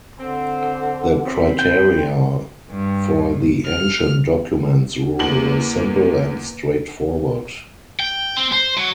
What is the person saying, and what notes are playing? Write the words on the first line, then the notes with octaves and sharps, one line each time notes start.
The criteria for the Ancient Documents Rule is simple and straightforward.
D3 C4
C4 C5 B5 C6
G5
G2
F6
E2 A#3 F#7
G5
C4
C5
F#3